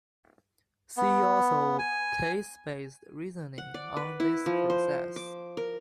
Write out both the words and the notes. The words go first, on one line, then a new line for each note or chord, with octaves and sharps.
See also case-based reasoning on this process.
B3
G#5
F#5
D5
B4
E4
F3
C5
D6
A#4